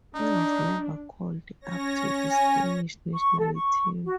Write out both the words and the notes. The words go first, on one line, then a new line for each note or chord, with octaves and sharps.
He was never called up to the Spanish national team.
D4 D#4
C#4 C#5 A#6
G#5
C#6
A4
C#6
F#4